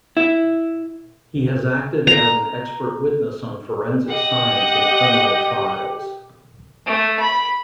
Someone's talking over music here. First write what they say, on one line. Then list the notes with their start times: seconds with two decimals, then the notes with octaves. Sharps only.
He has acted as an expert witness on forensic science in criminal trials.
0.17 E4
2.07 A#5
4.09 G4 D#5 F#5
6.86 A3
7.19 B5